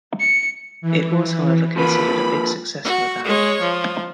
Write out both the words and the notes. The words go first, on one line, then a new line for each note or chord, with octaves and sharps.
It was however considered a big success for the band.
C#7
E3
F3 A#3 B4 B5
F#4
G#3 C#5
F3